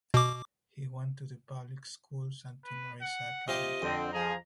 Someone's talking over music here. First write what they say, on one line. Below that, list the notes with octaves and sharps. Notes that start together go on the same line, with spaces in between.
He went to the public schools and to Marissa Academy.
B2 D6
B4
F#5
C3 F4 G4 D#5
F2 D3 C4
F3 G#4 A#5